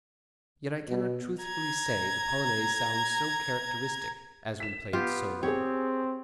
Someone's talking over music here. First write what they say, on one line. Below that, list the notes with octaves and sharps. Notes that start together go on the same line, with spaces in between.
Yet I cannot truthfully say the Polonaise sounds so characteristic as when played solo.
B2
A#5 G#6
B6 E7
B3 F4 G4
C4 G4 G#4 C#5